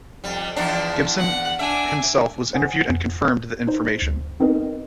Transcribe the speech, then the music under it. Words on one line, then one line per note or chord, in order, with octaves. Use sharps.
Gibson himself was interviewed and confirmed the information.
F2 G3
E2 F3 D4
F#5
D4 E5 G#5
C5 F#5 G#5 D#6
F2
D#4 C5
D2
B3 C4 D#4 A#4 B4 D#5